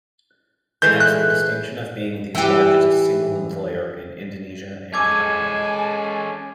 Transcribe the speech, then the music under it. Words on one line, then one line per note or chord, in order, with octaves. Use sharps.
It has the distinction of being the largest single employer in Indonesia and Taiwan.
E3 G#3 A3 G6
F#6
E3 G4
G#3 C#4 A4 D#5 G#5 D6 G#6